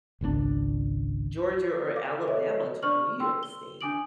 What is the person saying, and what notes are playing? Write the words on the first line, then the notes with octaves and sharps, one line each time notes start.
Georgia or Alabama to New York State,
G#1 C#2 C3 D4
F5 D6
A4 C#5 D#5 E5
D4 C5 D5 C#6 F6 F#7
G5 C6 E6
G7
D4 G#5 D6 D#6 D7 F#7